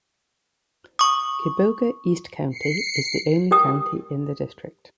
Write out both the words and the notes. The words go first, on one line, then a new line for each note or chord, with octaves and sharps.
Kiboga East County is the only county in the district.
C#6 D#6
C7 C#7
G4 A#4 G5 D#6 E6